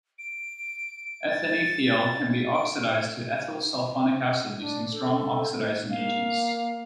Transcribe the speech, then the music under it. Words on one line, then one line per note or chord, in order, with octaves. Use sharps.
Ethanethiol can be oxidized to ethyl sulfonic acid, using strong oxidizing agents.
D7
A6
D7
D4
A4
A#3 F5